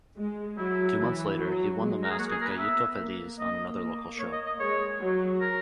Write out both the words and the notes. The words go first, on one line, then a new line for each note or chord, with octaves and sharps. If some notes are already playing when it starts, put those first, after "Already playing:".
Two months later he won the mask of Gallito Feliz on another local show.
G#3
F#3 E4
E3
F#3
G#3
A#4
G#4
A#3 F#4
G#4
A#4
B4
B3 E5
A#3
A#3 D#5
A#3
A#3 C#5
D#5
D#5
G#3 C#5
F#3
A#4